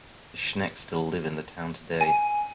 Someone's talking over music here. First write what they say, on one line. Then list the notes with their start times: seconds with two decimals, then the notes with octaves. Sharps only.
The Schnecks still live in the town today.
2.01 G#5